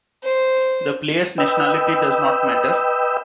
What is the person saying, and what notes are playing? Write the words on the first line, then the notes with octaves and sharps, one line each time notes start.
The player's nationality does not matter.
C5
B4 D#5 G5 E6